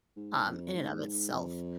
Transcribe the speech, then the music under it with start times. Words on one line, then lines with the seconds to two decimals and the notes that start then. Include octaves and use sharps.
um, in and of itself.
0.16 G#2
0.46 F2
0.76 G#2
1.34 F2